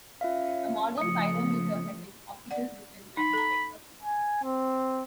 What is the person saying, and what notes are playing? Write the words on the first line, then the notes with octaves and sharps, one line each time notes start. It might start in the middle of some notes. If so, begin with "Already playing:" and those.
A modern pyrometer has an optical system and a detector.
C#4 F4 E5 F5
C#3 F3 A3 D#6 C#7
D5 F#5
D#4 B5
A4 A#5
G#5
C4